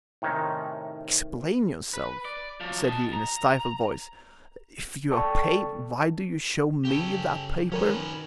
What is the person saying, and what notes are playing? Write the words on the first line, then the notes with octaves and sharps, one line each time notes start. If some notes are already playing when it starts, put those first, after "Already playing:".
"Explain yourself," said he, in a stifled voice--"if you are paid why do you show me that paper?"
A2 C3 D#3 C#4 D#4
B4
D5
F3 F#3
D#5 A5
A#5
A4 D5 G5 A5 C#6
C#3 G4 A4
D#3 F#3 C#4 A#4 B4 C#5